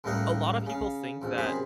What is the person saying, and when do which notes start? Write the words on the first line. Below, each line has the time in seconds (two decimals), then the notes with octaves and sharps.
a lot of people think that
0.04 C#2 A2 G3 A#3 D#5 F#5
0.67 C#3 F5
1.22 A#1 F2
1.38 F#2 C3 G#4 B5